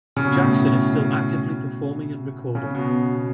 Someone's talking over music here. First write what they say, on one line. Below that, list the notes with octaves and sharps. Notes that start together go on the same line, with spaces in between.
Jackson is still actively performing and recording.
C#3
B2
A2
B2
C#3
B2
B2